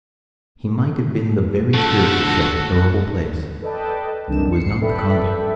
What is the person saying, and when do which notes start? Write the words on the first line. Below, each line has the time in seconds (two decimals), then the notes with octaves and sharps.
He might have been the very spirit of that terrible place. It was not the convict.
1.74 D3 F3 A3 F#4 A4
3.61 A4 B4 D5 D#5 G5 A5
4.27 C2 D#3 E3 D4 E7
4.52 C7 C#7
4.81 A4 B4 D5 E5 G5 B5